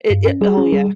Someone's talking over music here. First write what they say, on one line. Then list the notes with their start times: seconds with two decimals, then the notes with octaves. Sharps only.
It it Oh, yeah.
0.10 G2
0.26 C#4
0.41 G3 G#4
0.57 C#4
0.73 G3